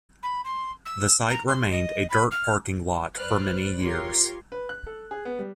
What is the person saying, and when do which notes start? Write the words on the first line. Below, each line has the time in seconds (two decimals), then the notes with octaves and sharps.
The site remained a dirt parking lot for many years.
0.23 B5
0.44 C6
0.85 E6
1.30 A#5
1.48 C6
1.71 D#5
2.10 B5
2.31 F6
3.16 F#2 B4 C5 D5 F6 F#6
3.80 F4 G4 A#4 C#5 C6
4.52 B4
4.69 F#6
4.86 A4
5.11 G#4
5.25 B3
5.39 G3